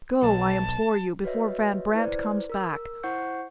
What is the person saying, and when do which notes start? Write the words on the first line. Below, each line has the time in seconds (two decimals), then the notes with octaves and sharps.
Go, I implore you, before Van Brandt comes back.
0.22 B1 A5
1.24 F#4 B4 C#5 D#5 E5
1.95 E4 B4 C5 D5
2.50 A#4 E6
3.03 E4 C5 F#5 C#6 G6 C#7